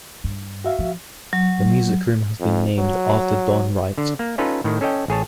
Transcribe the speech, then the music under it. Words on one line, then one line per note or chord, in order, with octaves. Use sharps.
The music room has been named after Don Wright.
G2
F#4 E5 F5
F3
F#3
F2
F#3
D3
A#3
C#4 D#4 F4 A4 B4
A2 D#3
C#4 A4 C#5 D#5 G5
A1 G#4 C#5 A5